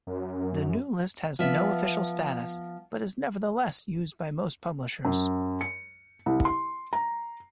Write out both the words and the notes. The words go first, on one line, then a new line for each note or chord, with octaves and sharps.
The new list has no official status, but is nevertheless used by most publishers.
F#2
F3 B3 E5
F#2
C#7
C2
C6
A#5